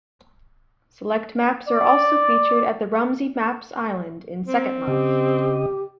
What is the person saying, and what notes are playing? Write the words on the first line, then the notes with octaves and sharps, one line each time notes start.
Select maps are also featured at the Rumsey Maps island in Second Life.
D5
C4
C#3 G4 D#5